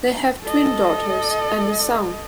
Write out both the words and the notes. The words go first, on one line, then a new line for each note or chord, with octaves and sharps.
They have twin daughters, and a son.
A4 D#5